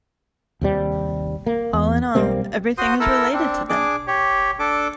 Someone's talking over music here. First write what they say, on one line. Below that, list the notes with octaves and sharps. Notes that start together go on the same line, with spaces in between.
All in all, everything is related to them!
D#2 C3 G3
A#3
E2
B1 G3 A#3 C4
F#4 C5 C6 D#6
E4 A4 A#4 E6
C4 D4
D4 G#4 D6
G4 C#5
D4 A4 D6